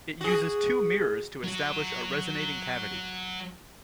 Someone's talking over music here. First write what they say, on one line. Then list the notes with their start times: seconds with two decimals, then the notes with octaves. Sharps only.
It uses two mirrors to establish a resonating cavity.
0.21 F#4 G#4
1.44 F#3 F#4